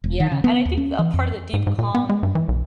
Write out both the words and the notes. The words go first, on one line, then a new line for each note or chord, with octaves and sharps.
Yeah, and I think a part of the deep calm,
E1
D#3
C#3
B3
D#2
C#4
E3
F2
G#2
G#2
A#2
B3
G#3
G2
E3
B1